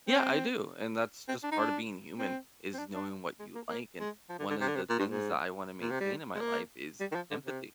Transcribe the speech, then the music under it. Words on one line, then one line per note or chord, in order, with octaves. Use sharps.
Yeah, I do, and that's just part of being human is knowing what you like and one of the things that I wanna maintain in my life is empathy.
C4
C4
D4
D#4
D4
C4
C4
D4
D4
G#3
A#3
A#3
G#3
F3
D3
D3
C3
D3
C3
A#2
G2
G#2
A#2
C3
G3
G#3
A#3
G3
D#3
F3
D3
C3